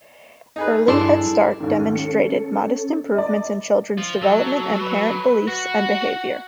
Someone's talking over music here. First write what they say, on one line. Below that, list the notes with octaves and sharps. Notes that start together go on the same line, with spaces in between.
Early Head Start demonstrated modest improvements in children's development and parent beliefs and behavior.
D#4 G#4 B4
G2 D3 E4 G#4 A4 D5 C6
D#2 G#2 D#3 C#4 A4
C#7
D5 D#5
F3 F4
F#3 A4
B4
F#4 F#5